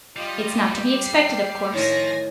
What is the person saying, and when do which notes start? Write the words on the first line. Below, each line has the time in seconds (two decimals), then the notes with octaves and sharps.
It's not to be expected, of course.
0.17 G3 F4 D#5
1.03 C7
1.74 A2 D#3 F3 E5 G#5 A#6